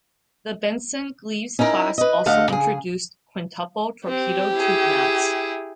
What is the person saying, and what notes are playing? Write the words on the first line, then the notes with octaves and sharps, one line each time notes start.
The "Benson"-"Gleaves" class also introduced quintuple torpedo tube mounts.
C#4 D#4 E4 A#4
B4 D#5
D2 A3 D#5 F5 F#5
C#3 G#4
C4 G4
E4 G#4